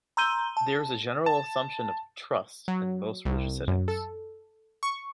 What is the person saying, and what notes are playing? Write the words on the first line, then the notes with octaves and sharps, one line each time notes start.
There is a general assumption of trust in most religious settings.
A#5 C6 E6 G6 D#7 G7
A5
A5
F#3
C2
F#2
A4
C#6